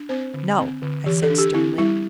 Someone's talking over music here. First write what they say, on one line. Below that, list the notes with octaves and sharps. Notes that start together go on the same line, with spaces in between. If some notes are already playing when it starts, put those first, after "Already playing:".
"No," I said sternly.
Already playing: D4
C4 C5
D3
C4
D3
E3 G4
A4
D4
G4
C4 E4
G3 E4